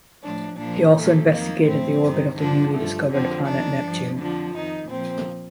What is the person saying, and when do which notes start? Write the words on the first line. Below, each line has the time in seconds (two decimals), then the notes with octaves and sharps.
He also investigated the orbit of the newly discovered planet Neptune.
0.22 A2 F3 D4
0.58 A#2 F3 D4
0.95 A#2 F3 A3
1.30 F2 D#3 A#3
1.66 A2 F3 C4
2.03 G2 D#3
2.38 G2 D3 F3 D4
2.73 G2 F3 A3
3.09 F2 D3 F3 C4
3.45 F2 D#3 D4
3.81 G2 F3
4.17 F2 D3 F3 D4
4.53 F2 D#3 D#4
4.89 A#2 F3 C4